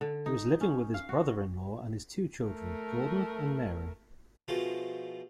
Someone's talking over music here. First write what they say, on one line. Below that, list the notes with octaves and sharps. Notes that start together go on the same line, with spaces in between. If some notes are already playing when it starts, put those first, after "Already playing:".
He was living with his brother-in-law and his two children, Gordon and Mary.
D3
D#4
C#4
F5
F#4
A3 A#4
B2 F3 G#3 A3 F4